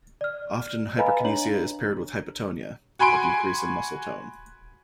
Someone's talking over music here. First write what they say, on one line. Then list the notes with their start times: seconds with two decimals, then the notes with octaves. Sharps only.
Often, hyperkinesia is paired with hypotonia, a decrease in muscle tone.
0.21 D5 F6
0.97 B4 D#5 F5 G#5 A#5 B5
1.24 D4 C#5 A#5 F#7
2.99 F#4 G#5 B5 C6 D7